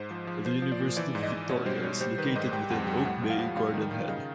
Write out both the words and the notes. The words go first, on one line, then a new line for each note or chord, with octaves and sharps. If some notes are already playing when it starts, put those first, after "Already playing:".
The University of Victoria is located within Oak Bay-Gordon Head.
Already playing: G#2 C5
F3
F3
F3 C5
F3
D5
A#2
E3 D5
G#2
D#5
G#2
B2 C#5
G3 C5
G3 C#5
G3 C5
D#3 B4
G#2 D#5
G3 G5
F2 F#5
G3 G5
A2 F#5
F3
F5
F3
G3 F5
D#3
D#3
C#3 D#5